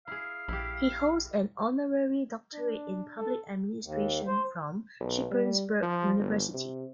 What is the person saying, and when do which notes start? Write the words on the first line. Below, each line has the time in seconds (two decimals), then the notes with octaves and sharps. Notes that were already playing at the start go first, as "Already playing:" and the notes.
He holds an Honorary Doctorate in Public Administration from Shippensburg University.
0.07 E4 G#4 F5
0.48 A#1 E4 G4
2.54 D4
3.17 A4
3.82 D#2
4.27 C5
5.00 B1
5.31 G3
5.82 F3
6.18 G1
6.53 C3